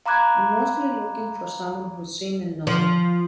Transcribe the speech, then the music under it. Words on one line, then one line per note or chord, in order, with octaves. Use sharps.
I'm mostly looking for someone who's seen and known.
F5 A#5 B5 D6 F#6 G#6
F3